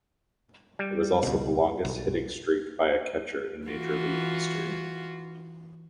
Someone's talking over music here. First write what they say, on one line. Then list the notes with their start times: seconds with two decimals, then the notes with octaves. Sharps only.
It was also the longest hitting streak by a catcher in major league history.
0.79 G3
1.23 C#2 B2
1.85 B1
3.67 E3 F4 F#4